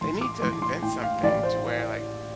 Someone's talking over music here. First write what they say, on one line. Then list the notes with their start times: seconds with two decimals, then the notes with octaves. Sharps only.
They need to invent something to where, like,
0.01 A1 C6
0.21 D6
0.42 A1 C6
0.62 C6
0.82 A2 G5
1.04 F5
1.23 A1 D5
1.43 C5